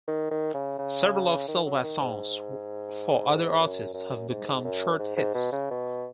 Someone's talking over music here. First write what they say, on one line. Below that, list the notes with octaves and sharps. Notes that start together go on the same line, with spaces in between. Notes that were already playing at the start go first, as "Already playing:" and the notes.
Several of Silvas' songs for other artists have become chart hits.
D#3
D#3
C#3
C#3
D#3
F#3
D#3
G#2
F#2
F#2
G#2
F#2
G#2
G#2
B2
C#3
B2